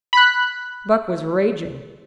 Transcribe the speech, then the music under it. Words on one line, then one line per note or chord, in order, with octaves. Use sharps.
Buck was raging.
B5 F#6